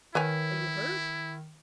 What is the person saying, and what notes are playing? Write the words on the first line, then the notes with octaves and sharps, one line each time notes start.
Are you hurt?
D#3 E4 B4 C#5 G#5